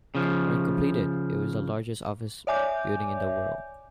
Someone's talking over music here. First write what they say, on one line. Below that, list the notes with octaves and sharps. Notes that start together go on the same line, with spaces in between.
When completed, it was the largest office building in the world.
C#3 F3
C#5 D5 E5 G#5 D6 G6